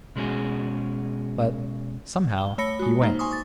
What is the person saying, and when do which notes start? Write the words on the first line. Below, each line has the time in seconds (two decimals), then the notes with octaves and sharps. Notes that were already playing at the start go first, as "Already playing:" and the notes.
But, somehow, he went.
0.16 B2 G#3 C#4 F#4 G#4
2.38 G7
2.58 A3 C#5 B5 A#6 C#7
2.79 G#3 F#4
3.02 A#3 D#4 C5
3.19 G#5 C6 C#6 D#6
3.31 D6 D#6 A6